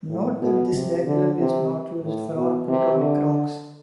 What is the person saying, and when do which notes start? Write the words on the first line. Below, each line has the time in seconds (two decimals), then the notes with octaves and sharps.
Note that this diagram is not used for all plutonic rocks.
0.09 A2
0.42 B2
0.75 C3
1.06 D3
1.39 C3
2.03 A2
2.35 B2
2.68 C3
2.99 D3